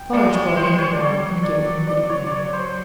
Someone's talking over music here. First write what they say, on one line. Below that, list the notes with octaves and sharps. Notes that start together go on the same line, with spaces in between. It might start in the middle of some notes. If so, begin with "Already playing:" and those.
Defarge brought him the wine, and gave him Good Evening.
Already playing: G5
G#3 D5
C#5
C5
C#5
D5
G3 C#5
F#3
D5
F#3
F#3 D5
C#5
C#5 D5
C5